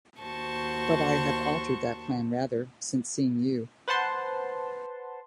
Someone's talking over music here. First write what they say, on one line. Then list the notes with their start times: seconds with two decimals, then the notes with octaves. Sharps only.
But I have altered that plan rather since seeing you.
0.21 D#2 F#4 C5 A5 C#6
3.88 B4 C5 F#5 A5 C6